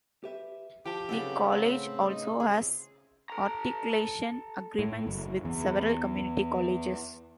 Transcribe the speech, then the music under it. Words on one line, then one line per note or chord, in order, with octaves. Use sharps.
The college also has articulation agreements with several community colleges.
G4 B4 E5
F3 G4 G5 A5
F#2 C#3 B3 C4 D#4 A4
C#2 A2 C4 A#5 B5
D#4
C4 G#4
A4 A#5
A2
F#1
E2